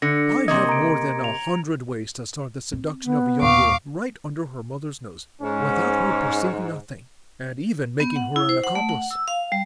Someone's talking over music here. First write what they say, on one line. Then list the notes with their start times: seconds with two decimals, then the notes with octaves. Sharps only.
I have more than a hundred ways to start the seduction of a young girl right under her mother's nose, without her perceiving a thing, and even making her an accomplice.
0.02 D3 A#6 C#7
0.48 C3 A#3 D#5 G#6
0.69 A#5 D7
1.24 F7
2.72 C4
3.04 B3
3.41 D#2 A#2 F5 C#6 D6
5.42 G#2 C#4
8.00 B3
8.16 F#5
8.36 E4
8.49 C5
8.64 F#5
8.75 A3
8.89 F#5
9.11 E6
9.28 F5
9.52 G3